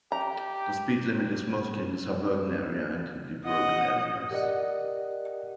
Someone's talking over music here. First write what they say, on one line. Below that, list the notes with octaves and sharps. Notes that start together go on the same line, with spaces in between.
The speed limit is mostly in the suburban area, and in the rural areas.
G4 A#5
D#5 F#5
G4 A#4 D5 D#5 F#5